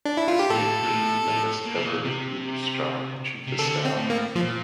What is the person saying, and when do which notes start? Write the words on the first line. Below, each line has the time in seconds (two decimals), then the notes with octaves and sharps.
This made her the youngest ever Bundestag chief of staff.
0.05 D4
0.17 E4
0.28 F4
0.39 G4
0.50 A2 A4
0.82 A#2
0.89 A2
1.27 A2
1.66 A#2
1.75 C3
1.85 A#2
2.05 C3
3.47 C3
3.59 D3 A4
3.85 C4
3.97 A2
4.10 A#3
4.36 A#2 F3